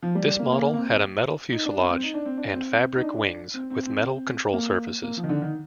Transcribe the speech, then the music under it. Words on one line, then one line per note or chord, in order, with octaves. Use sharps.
This model had a metal fuselage and fabric wings with metal control surfaces.
F3
G3
G3
A#3
A#3
A#3
C4
D#4
D4
C4
C4
D#4
D4
C4
D4
C4
D#4
D4
C4
C4
C4
A#3
A#3
F3
D#3
D3
D#3